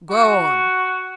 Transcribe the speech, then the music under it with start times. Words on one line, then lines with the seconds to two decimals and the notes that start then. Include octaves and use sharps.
"Go on."
0.10 F#4